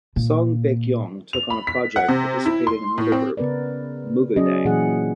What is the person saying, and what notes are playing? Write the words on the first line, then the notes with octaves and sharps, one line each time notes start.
Song Baekkyoung took on a project participating in another group, MoogaDang.
A#2
F7
B5
B6
F#5
C3
E4
C6
A2
C4
C#3 B3 A#4 B4 D5
F#3 C#4 G#4 D5 D#5
A#2 E3 F#3 G#4 F#5